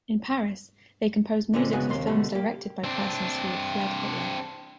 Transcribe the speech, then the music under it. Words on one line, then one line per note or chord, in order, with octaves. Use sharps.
In Paris, they composed music for films directed by persons who had fled Hitler.
A#2 D3 G#3 C4 C#4
C#3 G#3 B3 F#4
D#2 C3 A#3 C6
B2 D3 G3 A3
A#3 G4
C4 D4